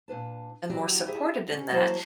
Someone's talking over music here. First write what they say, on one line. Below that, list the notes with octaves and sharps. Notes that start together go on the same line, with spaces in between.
and more supported in that.
A#2 D4 B4 A5
E3 F#3 F#4 G4 D5
D#4 E4 G4 G#4 D#5 E5
C#4
E3 F#3 A#3 C5 C#5 A5